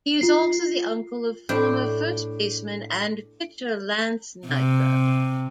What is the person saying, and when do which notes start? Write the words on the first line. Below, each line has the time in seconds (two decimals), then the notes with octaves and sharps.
He is also the uncle of former first baseman and pitcher Lance Niekro.
0.21 F4 C7
1.49 A2 D4 E5 G5
4.47 C3